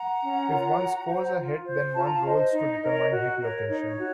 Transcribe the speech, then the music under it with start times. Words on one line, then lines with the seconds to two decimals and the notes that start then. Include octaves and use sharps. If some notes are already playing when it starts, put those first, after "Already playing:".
If one scores a hit, then one rolls to determine hit location.
Already playing: F#5 A#5
0.21 C#4
0.50 F4 A#4 C#5
0.79 F#4
1.09 C5
1.37 F4
1.66 C5
1.95 F4 A5
2.05 A#5
2.13 F5 A5
2.24 C5 D#5
2.53 D#4
2.82 A#4 C#5
3.11 F#4
3.40 A#4 C#5
3.68 D#4 C#5
3.85 C#5
3.98 F#4